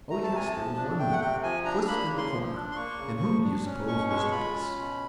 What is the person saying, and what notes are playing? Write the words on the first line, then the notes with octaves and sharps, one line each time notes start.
Oh, yes, there was one more, puss in the corner, and whom do you suppose was the puss?
A3 A#5
A5
C3 G#5
A5
F3
D4
A3 G5
F#5
C3 G5
F3 G#5
D4 A#5
A#3 B5
C#3
C6
F3
D4
C6
A#3 C#6
C#3
F3
D4
C#4
B2 C#6
G#3 C#6
F4 B5
C#4
B2